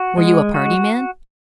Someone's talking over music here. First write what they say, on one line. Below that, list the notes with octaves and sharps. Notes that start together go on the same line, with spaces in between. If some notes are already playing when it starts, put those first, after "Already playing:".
Were you a party man?
Already playing: F#4
G#3
F#4